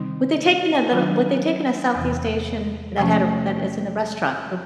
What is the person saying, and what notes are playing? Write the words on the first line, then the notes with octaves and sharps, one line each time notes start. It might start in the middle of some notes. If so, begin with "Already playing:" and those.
Would they take in a little would they take in a Southeast Asian that had a that is in the restaurant the
Already playing: C3 D#3 G3 C4 D#4
D#3 F#3 B3 D4 F4
E2 C3 E3
C3 F3 A3 C#4